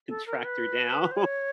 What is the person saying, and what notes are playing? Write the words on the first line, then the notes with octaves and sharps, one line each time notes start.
tracked her down
A4
A#4
B4
C5
C#5